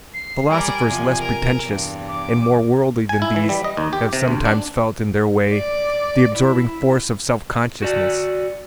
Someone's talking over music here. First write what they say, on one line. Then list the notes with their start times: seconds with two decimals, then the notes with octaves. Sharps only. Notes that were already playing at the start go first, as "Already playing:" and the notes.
Philosophers less pretentious and more worldly than these have sometimes felt, in their way, the absorbing force of self-consciousness.
0.14 C7
0.48 G3 A#4 D5 G#5
0.86 E2 C3 F3
1.19 A#4
1.61 E2 G2
2.08 D6
3.09 G#5
3.22 E4
3.36 E3
3.49 G3
3.64 D#5
3.77 D#2
3.93 G4
4.13 C3
4.28 D2
4.45 D4
5.51 D5
6.36 E4
7.82 F#4 D5